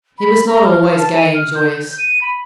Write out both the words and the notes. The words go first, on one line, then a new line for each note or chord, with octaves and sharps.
He was not always gay and joyous.
B5
A#5
F6
A5
D#7
F6
G6
G6
D#7
B5